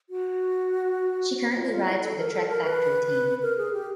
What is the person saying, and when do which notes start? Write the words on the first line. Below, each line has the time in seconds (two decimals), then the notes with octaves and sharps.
She currently rides for the Trek Factory Team.
0.10 F#4
1.55 F4
1.71 F4
1.87 E4
2.02 A4
2.18 A#4
2.33 A4
2.48 A#4
2.64 B4
3.42 A#4
3.58 G#4
3.73 G4